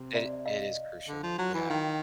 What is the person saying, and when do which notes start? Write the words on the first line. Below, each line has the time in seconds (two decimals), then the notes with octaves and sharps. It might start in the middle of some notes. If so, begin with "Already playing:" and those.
It i it is crucial. Yeah.
Already playing: C3
0.14 D5 E5
0.46 D#5 F5
1.08 D3
1.23 F3
1.39 F#3
1.54 E3
1.70 D#3 F5 G5